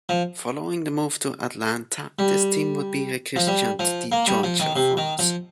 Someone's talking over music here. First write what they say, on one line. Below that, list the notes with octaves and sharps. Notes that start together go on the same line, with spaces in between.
Following the move to Atlanta, this team would be rechristened the Georgia Force.
F3
G3
F3
G3
F3
A#3
G3
F3
D#3
C3
D#3
F3